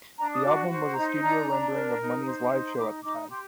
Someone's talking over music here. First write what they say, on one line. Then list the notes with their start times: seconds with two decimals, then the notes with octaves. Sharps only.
The album was a studio rendering of Money's live show at the time.
0.18 D4 A#5
0.35 D#6
0.45 F#4 D6
0.70 C5
0.96 D#4 A#5
1.22 D4 A#5
1.48 D4
1.73 A#4
2.01 D#4
2.26 C5
2.52 D#4
2.77 D#4 D6
3.04 D#4 D6
3.29 G4 C6